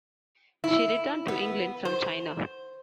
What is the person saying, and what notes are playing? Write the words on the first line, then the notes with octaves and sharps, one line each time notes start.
She returned to England from China.
E4
B3
C5